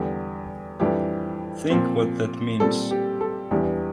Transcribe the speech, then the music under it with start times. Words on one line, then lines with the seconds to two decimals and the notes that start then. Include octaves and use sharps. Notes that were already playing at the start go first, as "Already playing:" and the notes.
Think what that means.
Already playing: E2 D3 G3 G4
0.80 F2 E3 G3 D4 G4
1.70 A#2 F3 C4
2.60 A#2 G3 C4 A4
2.91 G4
3.21 A4
3.51 E2 E3 G3 D4 G4